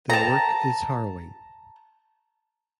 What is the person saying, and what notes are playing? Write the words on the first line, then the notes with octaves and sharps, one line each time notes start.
The work is harrowing.
A5 A#5